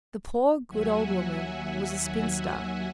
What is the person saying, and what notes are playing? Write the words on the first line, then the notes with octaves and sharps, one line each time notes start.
The poor good old woman was a spinster.
D#2 F#3 E5 F#5 G#5